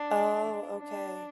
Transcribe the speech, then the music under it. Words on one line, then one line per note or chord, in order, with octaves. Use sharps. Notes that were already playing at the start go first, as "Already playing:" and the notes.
Oh, okay.
Already playing: D4
D4